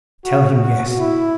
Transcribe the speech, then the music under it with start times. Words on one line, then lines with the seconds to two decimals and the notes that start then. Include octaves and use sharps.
"Tell him yes!"
0.25 F#4
0.61 F#4
0.99 E4